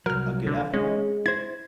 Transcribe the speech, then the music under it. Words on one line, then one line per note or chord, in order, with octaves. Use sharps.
a good afternoon.
C2 F#3 A#4 F6
D3
G#3 C#4
E4 C5 G#6